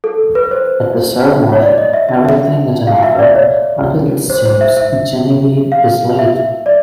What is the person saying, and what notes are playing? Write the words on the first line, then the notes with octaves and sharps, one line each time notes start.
At the ceremony, everything is in order, until it seems Genevieve is late.
A4
B4
C5
C#5
D5
D#5
E5
E5
E5
F5
E5
D5
C#5
C5
C5
E5
E5
F5
E5
D5